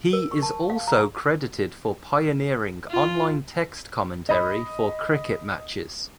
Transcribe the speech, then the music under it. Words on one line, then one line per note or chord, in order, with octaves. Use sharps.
He is also credited for pioneering online text commentary for cricket matches.
A#4
C#6
A5
F5
A#5
F4
D#5 B5